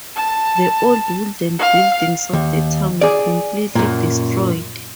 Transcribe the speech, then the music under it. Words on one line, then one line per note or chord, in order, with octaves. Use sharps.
The old wooden buildings of the town were completely destroyed.
A5
F5
D#2
G#4 D5
F#2 A#2